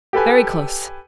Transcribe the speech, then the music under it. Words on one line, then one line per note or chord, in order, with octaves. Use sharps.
Very close!
G4 A4 B4 G#5